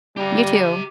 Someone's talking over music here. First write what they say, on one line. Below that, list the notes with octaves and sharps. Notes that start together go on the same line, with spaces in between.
You too.
G3 G4 A#5